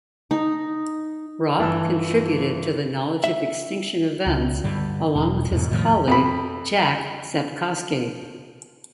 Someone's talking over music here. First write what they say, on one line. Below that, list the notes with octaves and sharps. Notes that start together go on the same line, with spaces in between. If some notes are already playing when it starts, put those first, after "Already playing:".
Raup contributed to the knowledge of extinction events along with his colleague Jack Sepkoski.
D#4
G1 E3 A5 E6
E5
C#2
G2 D3 G3
E1
E2 G#2 B2
F2 A2 D#3 F3
F2 B5